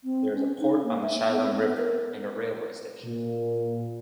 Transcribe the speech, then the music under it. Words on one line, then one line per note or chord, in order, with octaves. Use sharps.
There is a port on the Chulym River and a railway station.
C4
C#4
D#4
A#3
E5
B3
C4
B3
A#4
A#2